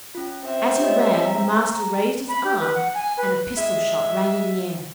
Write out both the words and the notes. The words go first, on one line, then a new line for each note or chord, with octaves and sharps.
As he ran the master raised his arm and a pistol shot rang in the air.
C#4 F4
C4 E5
G4 C#5 D#5
A#5
A#5
B5
G4
B4
F#5
G#5
B4
G#3 E5